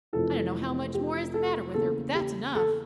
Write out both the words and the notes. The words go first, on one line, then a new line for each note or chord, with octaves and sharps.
I don't know how much more is the matter with her, but that's enough.
F1 F2 E3 A4
G4
A4
E2 C#3 E3 A#3 A4
G4
A4